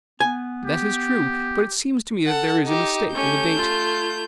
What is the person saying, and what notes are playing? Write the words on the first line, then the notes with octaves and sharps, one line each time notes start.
That is true; but it seems to me that there is a mistake in the date.
B3 G#5
G4
A4 F#5
D#4 G4
A3 C#4 G4 G6
F4